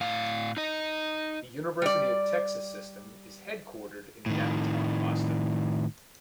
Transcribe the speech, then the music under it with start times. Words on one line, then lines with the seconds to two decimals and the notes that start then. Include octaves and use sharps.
The University of Texas System is headquartered in Downtown Austin.
0.01 A2 F5
0.57 D#4 D#5
1.82 G3 D5
4.26 A2 D#3